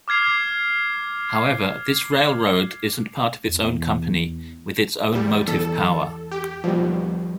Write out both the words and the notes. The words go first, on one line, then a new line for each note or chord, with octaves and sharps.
However, this railroad isn't part of its own company with its own motive power.
D6 F6 G#6 C7 F7
E2
E2 G3
E2 A4
G4
D#2 B2 F3 G3